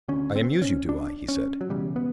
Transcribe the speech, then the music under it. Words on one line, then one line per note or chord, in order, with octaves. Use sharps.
"I amuse you, do I?" he said.
D2 D3 C#4
C4
C#4
D4
C#4
F#3
E1 E2 C#3 G3
B3